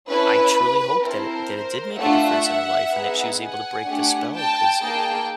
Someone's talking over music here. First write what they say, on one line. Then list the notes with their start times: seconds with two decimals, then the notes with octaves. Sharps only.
I truly hope that it that it did make a difference in her life and that she was able to break the spell 'cause,
0.09 C#4 E4 A4 B4
1.03 C4 E4 A4 A#4 C5
1.97 A3 D4 F4 A4 E5 F#5
2.92 B3 D#4 G#4
3.40 F#5 G#5
3.87 A3 D4 G4
4.34 G5 A5
4.81 A#3 D#4 G#4 G5 A5